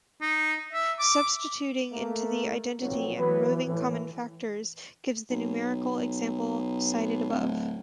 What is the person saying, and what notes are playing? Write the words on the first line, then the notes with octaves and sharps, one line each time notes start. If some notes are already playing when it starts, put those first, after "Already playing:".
Substituting into the identity and removing common factors gives the numerical example cited above.
D#4
E5
D6
A3 A#3
B1 F3 F#3 C4
E3 F#3 B3 B4
A2
B1
D1